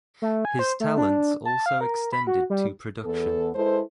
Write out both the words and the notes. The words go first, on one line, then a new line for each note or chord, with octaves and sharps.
His talents also extended to production.
A3
G#5
C5
A3
D4
A5
F5
A#4
B5
F#4
G3
E2 B3 A4
G#3 E4 A4 B4 C5